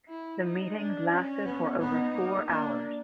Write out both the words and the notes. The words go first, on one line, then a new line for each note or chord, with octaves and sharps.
The meetings lasted for over four hours.
E4
D#4
D4
C#4
B3
B3 D#4
A#3
A#3 D4